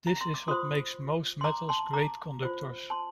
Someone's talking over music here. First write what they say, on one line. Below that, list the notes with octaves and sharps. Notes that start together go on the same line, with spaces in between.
This is what makes most metals great conductors.
A#5
C6
D6
F4 C5 C6 D#6
C6
A#5 D6
A5 C6
A#5 D6
F4 C5
A5 C6